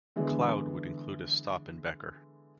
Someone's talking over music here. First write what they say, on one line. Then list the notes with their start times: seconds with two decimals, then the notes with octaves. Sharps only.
Cloud would include a stop in Becker.
0.16 D3 E3 G#3 B3